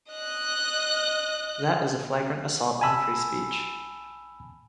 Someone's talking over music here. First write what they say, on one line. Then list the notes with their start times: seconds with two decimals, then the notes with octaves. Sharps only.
That is a flagrant assault on free speech.
0.11 D#5 F#6
2.81 G#5 A5 B5 E6